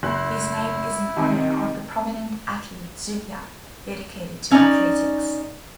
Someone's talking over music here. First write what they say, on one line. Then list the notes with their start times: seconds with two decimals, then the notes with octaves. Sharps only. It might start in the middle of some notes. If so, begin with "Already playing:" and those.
His name is in honor of a prominent athlete Zulia dedicated to athletics.
0.03 F#1 E4 F#6
1.16 C3 D#3
4.51 C#4 D#4 D5